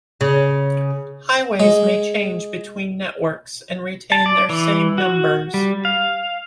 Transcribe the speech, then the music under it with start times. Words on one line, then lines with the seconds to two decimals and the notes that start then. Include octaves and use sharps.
Highways may change between networks and retain their same numbers.
0.21 C#3
1.60 G#3
4.12 A5
4.26 D5
4.49 E3
4.98 F#4
5.54 G3
5.85 F5